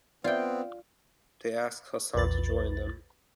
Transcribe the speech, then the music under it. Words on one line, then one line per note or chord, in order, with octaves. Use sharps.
They asked Hassan to join them.
B3 C4 F4 D5 G5
A#1 E2 B4 A6